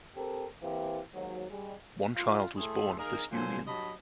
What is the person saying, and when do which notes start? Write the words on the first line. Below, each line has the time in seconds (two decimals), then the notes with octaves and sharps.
One child was born of this union.
0.16 C4 G4 A4 A#4
0.63 E3 A#3 C4 G4
1.14 D#2 G#2 F#3
1.50 G3 G#3
2.16 F4
2.57 A2 A3 G#4 A4 E5 C6
2.98 A#3 D#4 G#4 A#4
3.31 A#2 D3 F#3 A4 C5 G#5
3.66 G2 F#3 D#5 A5 B5